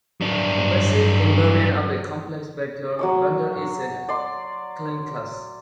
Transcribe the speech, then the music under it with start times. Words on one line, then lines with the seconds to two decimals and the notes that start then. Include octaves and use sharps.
The basic invariant of a complex vector bundle is a Chern class.
0.21 G2 F#3 D4
2.99 F#3 C#5 D6
4.09 D5 C6